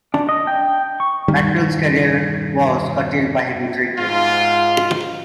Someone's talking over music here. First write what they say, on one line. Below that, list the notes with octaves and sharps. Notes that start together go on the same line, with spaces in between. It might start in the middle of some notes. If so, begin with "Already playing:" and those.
Mackerell's career was curtailed by heavy drinking.
D4
D#5
G5
C#6
E1 G2 D#3 G3
G#2 F4